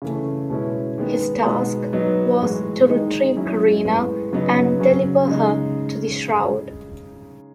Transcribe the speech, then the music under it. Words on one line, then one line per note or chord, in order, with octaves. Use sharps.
His task was to retrieve Karina and deliver her to the Shroud.
C#3 E3 A3 C#4
B2 G#3 C#4 E4
D#3 G#3 B3
B2 G#3 B3 D#4
F#3 B3 D#4
A2 E3 G#3
D#3 G#3 D#4
F#3 C#4 E4
A2 G#3 B3
C#3 F#3 B3 D#4
C#3 F#3 C#4
C#3 G#3 D#4